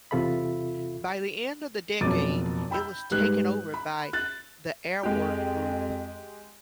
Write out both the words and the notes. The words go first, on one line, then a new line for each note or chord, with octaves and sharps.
By the end of the decade, it was taken over by the Airwork group.
E2 C3 F4 A4 E5 B5
F#1 F2 B2 D6 A6 D#7
G5 B5 E6 G6
G#2 G3 B4 F#6
B5
F#6 A6
F2 G#3 G4